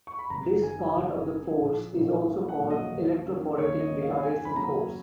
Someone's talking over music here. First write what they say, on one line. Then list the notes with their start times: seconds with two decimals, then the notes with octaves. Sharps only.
This part of the force is also called electrophoretic retardation force.
0.07 C#6
0.19 B5
0.30 F#1 A#5
0.63 F#2 D#3 G#5
0.96 F#1
1.28 F#2 D#3
1.61 A#1
1.94 A#2 F#3 A#3
2.27 A#1
2.49 F#5
2.60 A#2 F#3 A#3
2.70 D#5
2.92 D#2
3.25 D#3 A#3 C#4
3.58 D#2 C#5
3.80 D#5
3.91 D#3 A#3 C#4
4.02 F5
4.23 F#2 G#5
4.45 B5
4.56 C#3 F#3 A#3 C#4 A#5